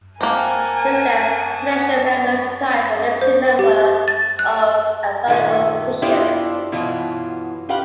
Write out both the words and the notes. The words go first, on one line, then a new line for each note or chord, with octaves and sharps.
Instead, potential members apply for the limited number of available positions.
A#3 C4 A#4 F#5 G#5 A5
C5
G4
A6
F#6
A#2 D#3 F#3 A3 B4 G#5
B3 D4 E4 F4 G4 C5
B2 E3 F#3 F4
F4 G4 B4 F5 F#5